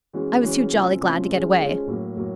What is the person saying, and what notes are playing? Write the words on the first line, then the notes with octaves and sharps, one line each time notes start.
I was too jolly glad to get away.
E3 G#3 C#4 F#4
E3 G#3 C#4 F#4
C3 F3 A3 C#4 F4
C3 F3 A3 C#4 F4
F3 G#3 C#4
F3 G#3 C#4
A2 F#3 A#3
A2 F#3 A#3